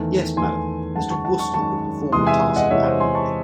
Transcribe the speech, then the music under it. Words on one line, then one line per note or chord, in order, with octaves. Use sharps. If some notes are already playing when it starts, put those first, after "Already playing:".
Yes, madam, Mr. Wooster would perform the task admirably.
Already playing: E2 D#3 A3
E2 D#3 A3 G#5 C6
F#2 D#3 G#3 F#5 A5
A5 C#6
F#5 A5
A5 C#6
F#2 D#3 G#3 A5 C#6
E2 C3 E3 G#3 C6 D#6
E5 G#5
D#5 F#5
E2 C3 E3 G#3 C#5 E5
C5 D#5
G#5 C6
A5 C#6